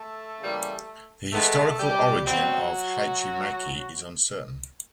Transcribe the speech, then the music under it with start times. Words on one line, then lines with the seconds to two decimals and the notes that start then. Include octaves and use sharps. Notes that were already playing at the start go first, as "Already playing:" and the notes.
The historical origin of hachimaki is uncertain.
Already playing: A3 A4
0.39 C#3 E3 G3 A#3
1.32 D#3 G#3 A3 B3 A4
1.78 G3 G4
2.25 B2 F#3 G3 C4 F#4